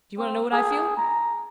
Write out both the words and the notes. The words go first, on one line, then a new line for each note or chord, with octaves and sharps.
Do you want to know what I feel?
C4
G#4
A#5